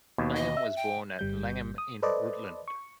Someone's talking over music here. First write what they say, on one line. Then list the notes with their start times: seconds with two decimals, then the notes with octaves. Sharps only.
Langham was born at Langham in Rutland.
0.18 D#2 B2
0.36 D#5
0.57 E5
0.77 G5
1.19 G1 G3 G6
1.78 D#6
2.02 A4 B4 C5 D5 D#5
2.68 C#6